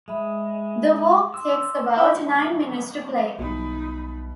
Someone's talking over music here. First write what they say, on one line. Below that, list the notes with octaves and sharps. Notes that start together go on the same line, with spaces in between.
The work takes about nine minutes to play.
G#3 E5 B5
C6 D6 E6
E4
B1 B2 E3 G3 D#4 B5